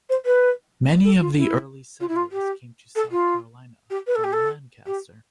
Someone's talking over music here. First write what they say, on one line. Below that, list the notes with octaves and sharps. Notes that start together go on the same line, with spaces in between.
Many of the early settlers came to South Carolina from Lancaster.
C5
B4
A4
F4
E4
F4
E4
F4
G4
A4
F4
G4
B4
A4
G4
A4
G4